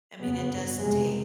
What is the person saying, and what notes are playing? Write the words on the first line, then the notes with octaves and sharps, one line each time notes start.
I mean, it does take
F2 C#3 B3
G2
F2 C3 G#3